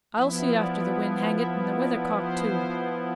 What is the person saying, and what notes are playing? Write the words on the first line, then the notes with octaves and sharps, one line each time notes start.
I'll see after the wind, hang it, and the weather-cock, too.
F3 B3 E4 E5
D5
E5
D5
C5